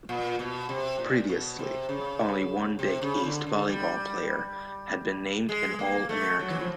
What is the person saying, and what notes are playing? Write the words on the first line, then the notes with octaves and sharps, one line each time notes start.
Previously only one Big East volleyball player had been named an All-American.
A#2
B2
C3
A#2
B2
C3
C#3
C3
C#3
D3
D3
G3
G#3
A#3
A3
F#3
E3
F3